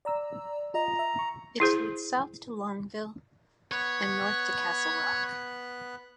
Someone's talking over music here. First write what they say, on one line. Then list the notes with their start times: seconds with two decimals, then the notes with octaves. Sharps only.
It leads south to Longview and north to Castle Rock.
0.05 D5 A#5 E6
0.74 F4 D#5 A#5
0.99 E5
1.19 C#6
1.60 E4 G#4 C5
3.72 B3 B4 C#5 F#6